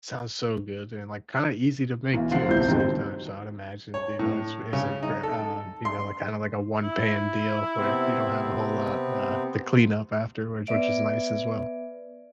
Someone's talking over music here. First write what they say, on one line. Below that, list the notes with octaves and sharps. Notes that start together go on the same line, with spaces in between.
Sounds so good, dude. And, like, kinda easy to make too at the same time. So, I'd imagine, you know, it's is it for, uh, you know, like, kinda like a one-pan deal where you don't have a whole lot, uh, to clean up afterwards, which is nice as well.
B1 E3 F5
G#1 D3 F3 F5 F#5 C7
D#1 C2 B2 C4 E4 G6
F2 G#2 D3 D#3 F#3 G3
C#5
A2
C#3
D#4
A4
C6
E4
C3 B3 C4
B3 B4 D5 E5 D7